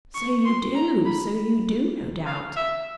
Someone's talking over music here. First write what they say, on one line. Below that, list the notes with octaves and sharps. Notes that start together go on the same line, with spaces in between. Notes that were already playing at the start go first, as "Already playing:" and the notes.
'So you do, so you do, no doubt.
C#6
C6
A#5
B5
F5
E5